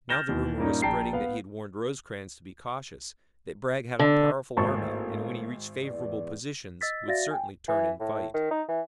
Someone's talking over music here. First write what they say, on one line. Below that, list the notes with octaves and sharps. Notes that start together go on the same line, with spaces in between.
Now the rumor was spreading that he had warned Rosecrans to be cautious, that Bragg had a powerful army and when he reached favorable positions, would certainly turn and fight.
F6 G6 A6 A#6 E7 G7
D#2 E3
G2 A#2 A#3 C#4 D#4
A#1 G5 A5 A#5 C7
B3 F5
D3
G#1 A2 A#3 A5 C#6
E2 D5
D#5 E6 A6 B6
F#4 D5 E5 F5 A6 A#6
G5 G#5
E3
A2
D#3
D#4
E3